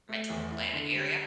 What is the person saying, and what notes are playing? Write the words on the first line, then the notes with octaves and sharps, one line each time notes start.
Metro Atlanta area,
A3
E2
E4
D3
G3